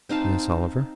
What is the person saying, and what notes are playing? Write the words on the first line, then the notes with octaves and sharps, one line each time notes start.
"Yes, Oliver?"
C4 D#4 F5 A5